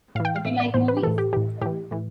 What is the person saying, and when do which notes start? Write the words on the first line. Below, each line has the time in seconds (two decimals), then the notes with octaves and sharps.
Don't you like movies?
0.15 A2 F5
0.20 E3
0.25 G5
0.36 F5
0.45 A2 E3 E5
0.60 D5
0.74 A2 E3 C5
0.88 B4
0.97 G4
1.03 E3 A4
1.07 A2
1.18 G4
1.33 A2 E3 G4
1.61 A2 G4
1.66 E3
1.91 A2 E3